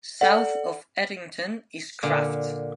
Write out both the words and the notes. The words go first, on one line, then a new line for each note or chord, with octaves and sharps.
South of Eddington is Krafft.
A4 D5 F#5
A#2 D3